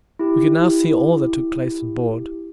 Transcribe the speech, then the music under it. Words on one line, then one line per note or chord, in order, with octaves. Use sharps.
We could now see all that took place on board.
E4 G4